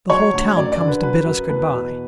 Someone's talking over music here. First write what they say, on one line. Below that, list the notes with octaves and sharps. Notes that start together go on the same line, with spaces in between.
The whole town comes to bid us good-by.
F#3 C#5
D2
F#2 D5
D5
D3
B4
F#3 B4
F#2
E2 B4
B2